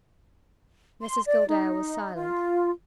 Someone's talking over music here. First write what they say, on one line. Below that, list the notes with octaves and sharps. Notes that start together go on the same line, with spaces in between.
Mrs Gildea was silent.
C6
D5
D#4
F4